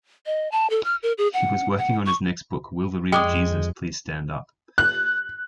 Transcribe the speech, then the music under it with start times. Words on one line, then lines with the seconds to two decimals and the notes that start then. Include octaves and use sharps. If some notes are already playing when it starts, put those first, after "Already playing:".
He was working on his next book Will The Real Jesus Please Stand Up?
0.26 D#5
0.52 A5
0.70 A4
0.84 F6
1.03 A#4
1.18 G#4
1.34 F#5
1.78 F#5
2.06 C#6
3.12 F2 G#3 G5 D6 D#6
4.78 F#6